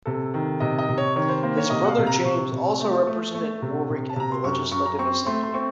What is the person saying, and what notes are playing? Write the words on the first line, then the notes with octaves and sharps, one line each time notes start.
His brother James also represented Warwick in the legislative assembly.
C3 A4
D#3
C3 D#5
D#5
C3
C#5
D#3 C#5
C5
A#3 C5
C#5
C3 D#5
F#5
F5
C3
A#5
C3 C#6
C3
A3
A3
A3
C3
C3
A5
C3 A#5
C6
F#2 C#6
F#2 C#6
A#5
C4 C#6
A3 C6
C6
C4 C#6